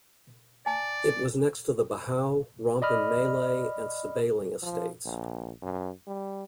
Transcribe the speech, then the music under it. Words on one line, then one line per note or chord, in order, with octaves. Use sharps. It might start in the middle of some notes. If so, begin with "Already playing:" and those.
It was next to the Bahau, Rompin Malay and Sebaling estates.
D5 G#5 A5
D5 D#5 B5 F6
F3
A#1
F#2
G3